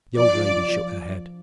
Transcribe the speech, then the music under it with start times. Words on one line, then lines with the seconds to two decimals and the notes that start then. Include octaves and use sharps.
The old lady shook her head.
0.16 F3 D5
0.33 F3
0.51 F3
0.68 F3